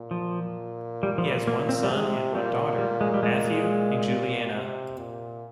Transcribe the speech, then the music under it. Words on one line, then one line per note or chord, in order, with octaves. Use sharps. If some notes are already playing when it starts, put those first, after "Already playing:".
He has one son and one daughter, Matthew and Julianna.
Already playing: A#2
F3
G3
F3
G3
A#3
C4
G3
C3 G#3
A#2 G3
G3
G#3
G3
G#3
G#3
C3
A#2